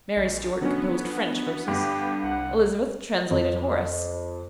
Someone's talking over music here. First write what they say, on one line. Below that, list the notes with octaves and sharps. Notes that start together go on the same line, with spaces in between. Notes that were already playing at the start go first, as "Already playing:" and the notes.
Mary Stuart composed French verses; Elizabeth translated Horace.
A#1
D3 F#3 B3 C#4
G2 D3 G4
C2 F#5
F2